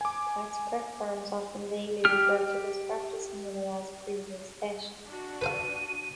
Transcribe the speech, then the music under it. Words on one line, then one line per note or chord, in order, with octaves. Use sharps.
Tax prep firms often vaguely refer to this practice merely as "previous debt".
G#5 D6
G4 F6
D4 F#4
B4 C5 F5 D#7